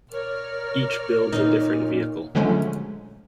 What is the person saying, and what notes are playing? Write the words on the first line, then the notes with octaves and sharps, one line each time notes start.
Each builds a different vehicle.
A#4 C#5 D5 F6
A#2 D#4
D3 F3 F#3 G#3 A3 C#4